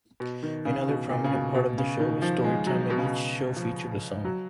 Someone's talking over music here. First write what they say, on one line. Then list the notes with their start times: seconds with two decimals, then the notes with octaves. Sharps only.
Another prominent part of the show was story-time and each show featured a song.
0.20 B2
0.43 D#3
0.65 C#3
0.88 B2
1.09 A#2
1.24 C#3
1.33 B2
1.55 B2
1.78 C#3
2.00 D#3
2.22 F3
2.44 G#3
2.66 F#3
2.90 B2
2.98 C#3
3.06 B2
3.56 F3
4.25 F#3